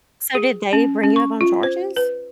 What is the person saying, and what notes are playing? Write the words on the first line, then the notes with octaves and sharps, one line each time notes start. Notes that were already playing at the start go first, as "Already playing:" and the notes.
So, did they bring it up on charges?
G#4
C#4
C#4
C#6
F4
C5
B4